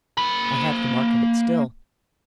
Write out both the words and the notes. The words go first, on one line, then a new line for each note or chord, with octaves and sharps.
I have the mark of it still.
A#3 B5